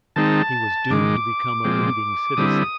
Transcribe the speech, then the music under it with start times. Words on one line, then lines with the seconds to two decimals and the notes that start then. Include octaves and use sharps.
He was doomed to become a leading citizen.
0.16 D#3 G#3 C4 D#4 A5
0.90 G#2 D#3 G#3 D6
1.64 A#2 F3 G#3 C4
2.37 D3 G3 C4 E4 D#6